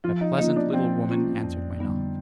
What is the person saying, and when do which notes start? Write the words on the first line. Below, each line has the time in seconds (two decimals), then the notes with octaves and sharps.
A pleasant little woman answered my knock.
0.04 F3 F4
0.21 D#4
0.38 A#3 C#4 D#4 F4
0.50 D#4
0.56 D4
0.73 F3 C4
1.09 A#3 C#4 F4
1.44 F2
1.79 D3 G3 B3 D#4